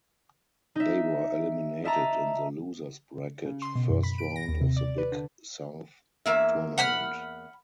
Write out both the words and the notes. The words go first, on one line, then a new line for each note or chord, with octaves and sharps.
They were eliminated in the losers bracket first round of the Big South Tournament.
D#4 E5
D#5 E5 A5 A#5
C#3
C6
B2
F#2
B5
D7
A#6
D#2
C3
D5
B4
D3
E2 A#3 E5
F#5 B5 F6